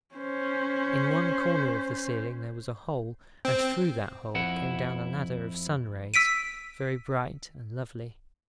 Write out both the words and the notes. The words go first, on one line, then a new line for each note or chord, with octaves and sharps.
In one corner of the ceiling there was a hole, and through that hole came down a ladder of sun-rays--very bright and lovely.
C#4 C5
C4
F2 E4 F#5
E6 B6 D7 D#7